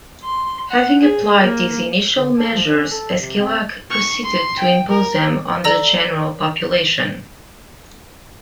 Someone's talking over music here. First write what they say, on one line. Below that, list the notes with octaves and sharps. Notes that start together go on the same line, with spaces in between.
Having applied these initial measures, Esquilache proceeded to impose them on the general population.
C6
F#5
G#4
A#3
D3
A4
F3
C#4
A4
C3
C4
C#6
C6
G5
A#4
A4 D5 A#5 E6 A#6